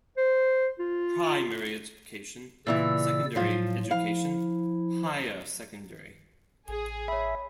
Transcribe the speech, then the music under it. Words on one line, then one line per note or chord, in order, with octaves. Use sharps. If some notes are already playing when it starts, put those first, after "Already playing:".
Primary Education, Secondary Education, Higher Secondary.
C5
F4
A#2 C#3 E3 E4 D5 E6
A2 F3 F#3 F4
F3 E4 F5
A1 G#4
C#5 E5 B5